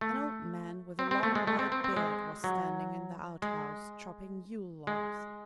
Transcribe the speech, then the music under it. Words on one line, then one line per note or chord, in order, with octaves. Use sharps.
An old man with a long white beard was standing in the outhouse, chopping Yule logs.
A3
C4
C4
A3
G#3
A3
C4
C4
C4
G#3
F#3
G#3
G#3